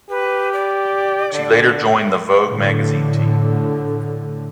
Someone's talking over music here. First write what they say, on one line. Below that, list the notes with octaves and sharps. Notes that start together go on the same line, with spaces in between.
She later joined the "Vogue" magazine team.
G4 B4
D5
D3
A2 D3